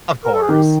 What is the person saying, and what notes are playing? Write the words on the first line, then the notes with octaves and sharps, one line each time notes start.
Of course.
A#4
A4
G#4
D#3 G4